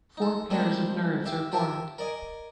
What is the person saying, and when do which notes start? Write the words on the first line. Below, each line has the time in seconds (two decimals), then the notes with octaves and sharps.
Four pairs of nerves are formed.
0.17 D#4 A4
0.50 F3 G3 G#3 A#3 C4 D4
1.26 G4 E5 F5
1.52 F4 G4 A#4 E5
1.98 A#4 D5 D#5 G#5